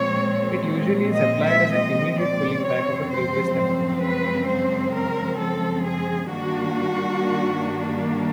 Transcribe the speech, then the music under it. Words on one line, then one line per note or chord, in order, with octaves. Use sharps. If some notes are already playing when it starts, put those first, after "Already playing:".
It usually is applied as an immediate pulling back of a previous tempo.
Already playing: A#2 F3 G#3 C4 C#5
D#5
E5
D#5
D5
F#2 C#3 F3 G#3 C4 C#5
C5
C5
B4
C5
A#4
A4
G#4
G2 D#3 G3 A#3 D4 F#4